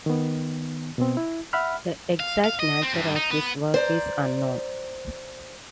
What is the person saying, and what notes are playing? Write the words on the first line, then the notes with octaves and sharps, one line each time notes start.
The exact nature of his work is unknown.
D#3 B3
B2 B3 C4
E4
E5 F#5 B5 F6
F5
F5
D#5
C4
G2
D#4
B3
C5 D5 A#5